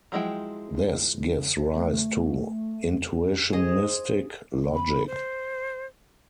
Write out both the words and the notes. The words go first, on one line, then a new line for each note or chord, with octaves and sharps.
This gives rise to intuitionistic logic.
F3 F#3 G#3 E4 G5
A3
G#4 C5 D#5
B5
C5